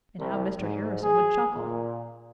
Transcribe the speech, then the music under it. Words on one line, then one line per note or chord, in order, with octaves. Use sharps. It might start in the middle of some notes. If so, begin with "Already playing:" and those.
And how Mr. Harrison would chuckle!
C2
G#2
G#4
A#2